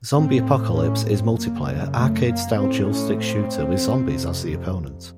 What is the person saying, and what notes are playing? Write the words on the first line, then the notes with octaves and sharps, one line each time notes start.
"Zombie Apocalypse" is multiplayer, arcade style dual stick shooter with zombies as the opponent.
A2 C4
C#4
C4
F#2 C#3 A#3
A3
A#3
A2 C4
C#4
C4
F2 C3